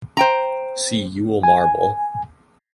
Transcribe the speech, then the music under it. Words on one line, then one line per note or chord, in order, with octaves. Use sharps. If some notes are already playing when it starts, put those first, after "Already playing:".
See Yule marble.
C5 G5 A#5
G#5